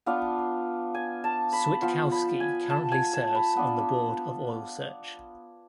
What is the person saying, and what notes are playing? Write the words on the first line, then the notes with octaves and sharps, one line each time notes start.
Switkowski currently serves on the Board of Oilsearch.
B3 D4 F4 F5
G#5
A5
B5
F3 B3 F4 C6
B5
G#5
A5
G#5
A5
B5
B3 D4 F4